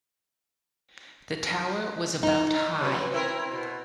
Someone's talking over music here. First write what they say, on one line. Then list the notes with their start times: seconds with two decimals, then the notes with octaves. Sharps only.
The tower was about high.
2.23 D#4
2.81 C3 F#3 B4
3.12 C4 E4 A#4
3.51 B2